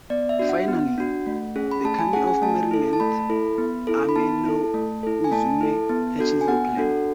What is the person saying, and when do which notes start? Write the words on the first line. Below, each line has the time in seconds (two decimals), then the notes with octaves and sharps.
Finally, the kami of merriment, Ame-no-Uzume, hatches a plan.
0.10 B3 D5
0.29 E5
0.39 D4 F#4
0.49 F#5
0.68 B3
0.98 D4 F#4
1.27 A3
1.56 C#4 G#4
1.71 B5
1.84 A3 A5
1.99 G#5
2.13 C#4 G#4 F#5
2.27 G#5
2.42 A3 A5
2.71 E4 A4
2.93 A5
3.00 A3 B5
3.30 E4 A4
3.58 B3
3.87 E4 A4
4.09 B5
4.16 B3 A5
4.45 E4 A4
4.74 A3
5.03 E4 A4
5.24 G#5
5.32 A3 A5
5.61 E4 A4
5.89 B3
6.19 D4 F#4 A4
6.41 G#5
6.48 B3 F#5
6.77 D4 F#4 A4